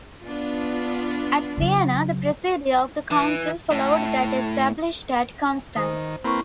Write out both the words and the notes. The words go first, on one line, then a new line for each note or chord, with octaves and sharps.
At Siena, the procedure of the Council followed that established at Constance.
B3 D4 F4
C#3 F#3
E3
A2
D#3 C5 D#6
A#3 C4 E4 B4 C#6